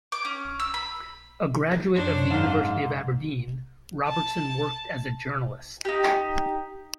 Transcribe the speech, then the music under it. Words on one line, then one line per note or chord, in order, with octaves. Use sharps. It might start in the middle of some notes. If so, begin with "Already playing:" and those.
A graduate of the University of Aberdeen, Robertson worked as a journalist.
D6
C#4
E6
B5
F#2 D4 C5 C#5
G#2 F5
A5
D#4 G4